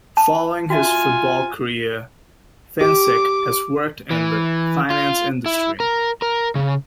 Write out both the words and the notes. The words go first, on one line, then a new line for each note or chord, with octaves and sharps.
Following his football career, Fencik has worked in the finance industry.
A5
F4 F#4 E5 G#5
G4 D6
E3
F4
E4
A#4
A#4
C#3